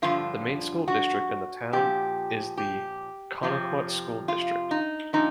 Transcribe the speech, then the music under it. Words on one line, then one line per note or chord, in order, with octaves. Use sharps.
The main school district in the town is the Connetquot School District.
G2 D3 F3 F4
F#4
A#2 F3 G4
G4
F2 C3 F3
F4
D#4
A#2 F3 D#4